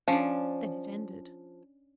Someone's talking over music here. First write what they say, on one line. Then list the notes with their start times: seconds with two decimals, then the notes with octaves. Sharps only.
Then it ended.
0.08 F3 C#4 D4